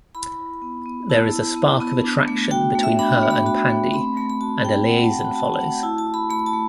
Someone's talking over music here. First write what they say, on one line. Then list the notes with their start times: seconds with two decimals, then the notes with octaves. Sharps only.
There is a spark of attraction between her and Pandey and a liaison follows.
0.15 E4 B5
0.39 E4
0.62 B3
0.86 B3
1.09 E4 A5
1.33 E4
1.57 B3
1.80 B3
2.04 D4
2.28 A3
2.51 F#4 G5
2.75 A3
2.83 E5
2.99 D4 B5
3.23 A3
3.31 B5
3.46 F#4 B5
3.69 A3
3.93 C4 B5
4.17 A3 B5
4.30 B5
4.41 F#4 A5
4.65 A3 G5
4.88 C4 F#5
5.04 A5
5.12 A3
5.19 B5
5.35 F#4 A5
5.59 A3 F#5
5.83 E4 A5
5.98 A5
6.07 E4
6.14 B5
6.30 A3 B5
6.46 A5
6.53 A3